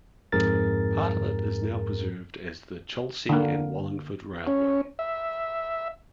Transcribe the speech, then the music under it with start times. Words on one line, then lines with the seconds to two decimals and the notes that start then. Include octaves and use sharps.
Part of it is now preserved as the Cholsey and Wallingford Railway.
0.32 F2 G#2 G#4 A#4 A6
3.29 D3 A#3
4.47 C#4
4.99 E5